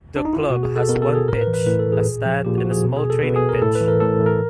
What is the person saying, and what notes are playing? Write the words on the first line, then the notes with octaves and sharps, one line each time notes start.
The club has one pitch, a stand and a small training pitch.
D4
D#4
E4
F4
B2 F#4
G#4
A4
B2 A#4
A4
G#4
A2 A#4
B4
E3
B4
A2 B4
A4
E3
G#4
A#2
F3
A#2 G4
F#4
F3
G#4
B2
G#4
A4
B2 B4
G#4
A#4
A2 A4
B4
E3
A#4
A2 A4
E3
A#4